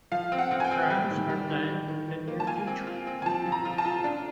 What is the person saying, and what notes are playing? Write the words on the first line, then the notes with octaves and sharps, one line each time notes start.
Trams are planned in the near future.
F3 F5
C4
F#5
C4
G#5
G5
C4
G3
D#3
G3
D#3
D#3
D#3
D#3
A#3
A5
F4 G#5
C4
F4
C4
G#5
F3 A5
F3
A#5
F4
A5
F4
D4